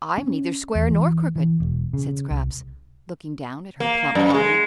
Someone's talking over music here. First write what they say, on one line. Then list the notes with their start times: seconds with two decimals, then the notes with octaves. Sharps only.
"I am neither square nor crooked," said Scraps, looking down at her plump body.
0.18 C#4
0.75 E2
0.90 E3
1.36 E3
1.60 E1
1.93 C#3
2.31 C2
3.80 A#3
4.15 F#2
4.34 G#3